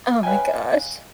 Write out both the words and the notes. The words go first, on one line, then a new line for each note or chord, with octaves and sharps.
Oh my gosh.
B4 C#5 D#5 F5 G5 G#5